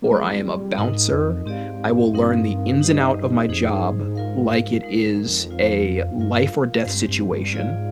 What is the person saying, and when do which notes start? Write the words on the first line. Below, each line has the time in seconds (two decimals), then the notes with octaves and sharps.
or I am a bouncer, I will learn the ins and out of my job, like it is a life-or-death situation,
0.02 A#3
0.10 G#3 C4 F4 G#4 D5
0.45 G3
0.78 G#2 D#4 A#4 D#5
1.12 F2
1.45 G#2 C4 G4 D5 F5
2.13 G2 C4 D#4 A#4 F5
2.81 D#4 G4 C5 D#5
3.48 F2 D#4 G#4 C5
3.71 G2
3.93 G#2
4.01 G2
4.08 G#2
4.15 F4 A#4 F5
4.83 G#3 D#4 A#4
5.06 G#2
5.28 F2
5.50 F4 C5 F5
6.18 G2 F4 A#4 F5
6.86 G2 G#3 C4 G4
7.09 G2
7.31 G2
7.54 G#2 F4 G#4 D5 F5